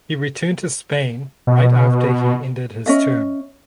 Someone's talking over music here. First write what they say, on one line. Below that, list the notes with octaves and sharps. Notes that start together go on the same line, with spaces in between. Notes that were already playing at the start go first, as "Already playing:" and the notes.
He returned to Spain right after he ended his term.
B2
C#4 D#5 E5